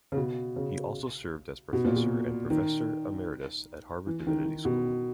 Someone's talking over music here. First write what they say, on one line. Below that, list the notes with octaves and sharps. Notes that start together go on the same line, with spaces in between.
He also served as professor and professor emeritus at Harvard Divinity School.
C#3
B2
C#3
B2
A#2
B2
D#3
E3
D#3
D#3
B2